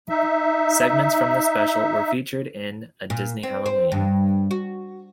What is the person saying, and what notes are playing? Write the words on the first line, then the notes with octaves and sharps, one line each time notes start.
Segments from this special were featured in "A Disney Halloween".
D#4 E5
A#2
C4
C4
G2
F#4